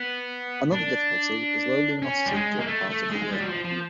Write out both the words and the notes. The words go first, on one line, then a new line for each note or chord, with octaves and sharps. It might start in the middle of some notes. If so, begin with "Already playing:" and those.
Another difficulty is the low luminosity during part of the year.
Already playing: B3
D4
C#4
G3
G#3
A#3
A3
A3
G#3
G3
F#3
F3
F3